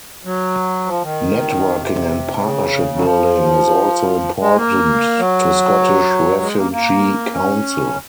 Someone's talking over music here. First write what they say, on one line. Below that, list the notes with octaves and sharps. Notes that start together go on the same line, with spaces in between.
Networking and partnership-building is also important to Scottish Refugee Council.
F#3
F3
D#3
C3
D#3
C#3
F#3
F3
G#3
A#3
F#3
G#3
A#3
A#3
C#4